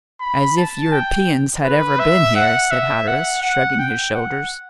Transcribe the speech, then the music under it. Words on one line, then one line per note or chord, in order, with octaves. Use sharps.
"As if Europeans had ever been here!" said Hatteras, shrugging his shoulders.
B5
A5
G5
B4
E5
F#5
E5
F#5
F#5
G5
F#5